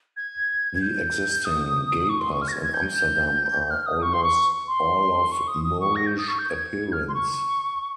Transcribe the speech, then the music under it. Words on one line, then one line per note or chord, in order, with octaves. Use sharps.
The existing gapers in Amsterdam are almost all of Moorish appearance.
G#6
G6
D#6
C#6
C6
C#6
F6
A#6
G#6
G#6
G6
F6
D#6
C#6
C6
C#6
C6
C#6
D#6
D#6
C#6
A#6
G6
D#6
C#6
G6
G#6
F6
C6
C#6